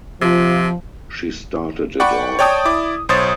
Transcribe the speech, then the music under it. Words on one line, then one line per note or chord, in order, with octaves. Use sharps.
She started it all.
C3 F3
D5 F#5 G5 B5 C#6
C#5 D5 G5 A5 D#6
E4 D5 D6
B1 C5 C#5 D#6 A6